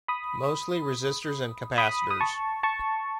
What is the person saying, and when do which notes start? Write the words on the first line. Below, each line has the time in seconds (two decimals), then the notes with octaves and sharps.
Mostly resistors and capacitors.
0.08 B5 D#6
1.78 B5 D#6
2.11 D#6
2.21 A5 C#6
2.63 A5 C#6